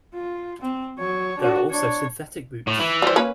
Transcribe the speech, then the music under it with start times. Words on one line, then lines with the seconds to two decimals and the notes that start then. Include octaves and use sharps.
There are also synthetic boots.
0.14 F4
0.62 C4
0.99 F#3 C#5
1.38 D4 F#4
1.69 D4 C#5
2.67 A2
2.80 E3
3.02 G3 C5
3.16 A#3 C#4 B4